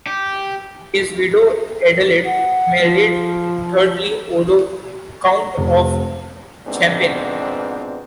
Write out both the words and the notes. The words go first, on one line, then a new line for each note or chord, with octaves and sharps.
His widow, Adelaide, married thirdly, Odo, Count of Champagne.
G4
F#5
F3
F1
F2 G#2 B2 B3 C4 D4